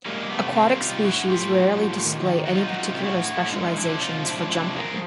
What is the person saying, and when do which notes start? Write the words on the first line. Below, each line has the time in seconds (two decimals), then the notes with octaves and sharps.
Aquatic species rarely display any particular specializations for jumping.
0.06 G3 G#3 A#3
0.23 G3
0.31 A3 B3
0.39 C3
0.55 G3 A#3 C4
0.73 C3
0.80 D#4 F4
0.88 G3
1.05 A2 E4 F#4
1.22 A2
1.29 F4 G4
1.38 A2
1.55 F#3
1.71 A2
1.88 A2
2.04 D#3
2.21 D#3
2.37 D#3
2.46 F#4
2.53 F#3 D#4 F4
2.69 F#3 F#4
2.78 D#4 F4
2.86 C3
2.99 G4
3.03 A2 E4 F#4
3.20 A2
3.36 A2
3.52 G#3 D#4 F4
3.69 G#3
3.77 D4 E4
3.85 F3
4.02 C3 D#4 F4
4.19 F3
4.26 D4 E4
4.35 G#3
4.51 C3 D4 E4
4.68 F3
4.76 G#4 A#4
4.84 F3